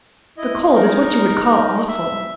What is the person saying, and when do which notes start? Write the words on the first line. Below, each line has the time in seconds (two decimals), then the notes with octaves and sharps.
"The cold is what you would call awful."
0.37 E4 D#5
0.75 D#4 A#4
1.88 E5